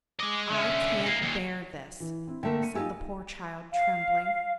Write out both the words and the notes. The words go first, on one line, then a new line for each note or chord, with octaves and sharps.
"I can't bear this!" said the poor child, trembling.
G#3 D#5 D6
D3 C#4 E5
A#3 D#4 C7
D#2 A#2
E3
C4 E4
D3 A3 A#3 A#4 E5 G5
C#7 D#7
D#4 F4 G4 G#5 E6
F5